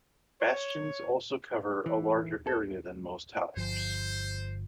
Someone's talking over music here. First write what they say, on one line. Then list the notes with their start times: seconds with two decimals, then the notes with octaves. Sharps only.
Bastions also cover a larger area than most towers.
0.41 C#5
1.86 E3
2.47 A4
3.57 G1 F3 C5